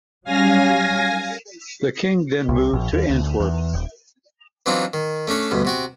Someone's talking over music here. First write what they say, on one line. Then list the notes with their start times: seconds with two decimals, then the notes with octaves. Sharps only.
The King then moved to Antwerp.
0.24 F#3 G3 C#4 F5 G#5 A#6
2.49 C2
2.73 A#1
2.93 D#2
3.10 D2
3.40 E2
3.74 D#1
4.66 E3 F#3 C4 D4 D#4 F4
4.94 D#3
5.27 A3 C#4 D4 A4
5.51 D2 G2 B2
5.65 C3 F#4 G5